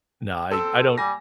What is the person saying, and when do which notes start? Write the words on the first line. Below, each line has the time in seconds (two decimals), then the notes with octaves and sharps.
No. I I don't
0.51 C4 A4 E6
0.98 G3 G#5 A#6